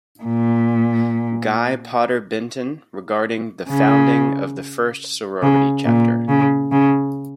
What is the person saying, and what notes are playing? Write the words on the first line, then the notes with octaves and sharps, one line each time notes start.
Guy Potter Benton regarding the founding of the first sorority chapter.
A#2
C#3
C#3
A#2
C#3
C#3